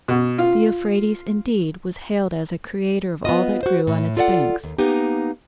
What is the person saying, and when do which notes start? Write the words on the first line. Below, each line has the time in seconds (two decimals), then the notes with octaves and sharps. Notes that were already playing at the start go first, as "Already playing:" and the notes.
The Euphrates, indeed, was hailed as a creator of all that grew on its banks.
0.08 B2
0.38 F4
3.25 B3 F4 D#5
3.63 F#4 C5
3.87 A2
4.17 F4 A4 D5 E5 F#5
4.64 D#2
4.78 A#3 B3 D#4 G4